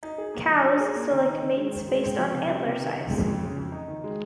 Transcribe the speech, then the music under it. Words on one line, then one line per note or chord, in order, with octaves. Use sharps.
Cows select mates based on antler size.
D#4
G#4
A#3
F3
F4
G#4
A#3
D#3
D#4
D#3
G#3
D#3
G#3
C4
F3
C3
G3
C3
D#3
C3
G#3
F2
C#3
F2
D#4
D#3
G#3